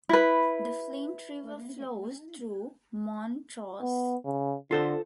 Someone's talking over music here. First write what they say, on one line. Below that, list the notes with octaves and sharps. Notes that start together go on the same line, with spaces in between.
The Flint River flows through Montrose.
E4 B4
B3
C#3
D3 F4 A4 C5